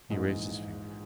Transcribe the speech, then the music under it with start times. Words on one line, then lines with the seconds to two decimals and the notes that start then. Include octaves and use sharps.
He raised his finger.
0.10 A#1 G#2 E3